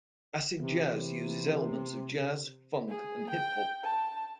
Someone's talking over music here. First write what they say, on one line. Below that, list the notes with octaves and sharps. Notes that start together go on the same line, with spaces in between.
Acid jazz uses elements of jazz, funk and hip-hop.
C3 E3 B3
G#4
G5
A5